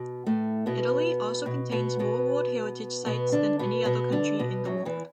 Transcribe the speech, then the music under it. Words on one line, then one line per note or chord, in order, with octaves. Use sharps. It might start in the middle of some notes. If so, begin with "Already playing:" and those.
Italy also contains more World Heritage Sites than any other country in the world.
Already playing: B2
A2 A3
B2 B3
B2
B2 B3
B2 B3
B2 B3
D3 D4
B2 B3
B2 B3
D3 D4
B2 B3
F#2 F#3
E2 E3